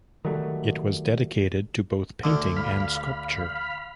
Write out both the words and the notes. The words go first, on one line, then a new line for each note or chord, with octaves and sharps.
It was dedicated to both painting and sculpture.
D#3 F#3 G3 A3
D2 D3
F5 B5